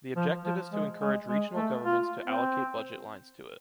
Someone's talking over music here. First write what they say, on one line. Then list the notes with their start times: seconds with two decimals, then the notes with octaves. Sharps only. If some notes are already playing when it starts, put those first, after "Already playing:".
The objective is to encourage regional governments to allocate budgets lines to it.
0.16 F3
0.44 F3
0.72 G#3
1.01 G#3
1.29 G#3
1.56 A3
1.85 F4
2.26 C4